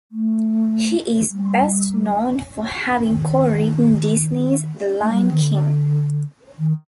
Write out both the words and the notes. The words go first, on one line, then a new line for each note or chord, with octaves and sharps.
He is best known for having co-written Disney's "The Lion King".
A3
G3
D#3
A3
G3
F#3
D#3
D3
D#3